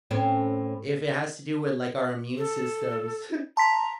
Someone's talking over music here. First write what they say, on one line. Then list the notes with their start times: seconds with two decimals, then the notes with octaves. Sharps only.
if it has to do with, like, our immune systems,
0.11 A2 C4 C#4
2.38 A4
3.57 A5 A#5 C6 B6